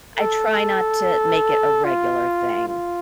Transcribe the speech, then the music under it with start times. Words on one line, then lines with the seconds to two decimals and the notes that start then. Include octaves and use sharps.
I try not to make it a regular thing.
0.18 A4
1.84 F4
2.68 F4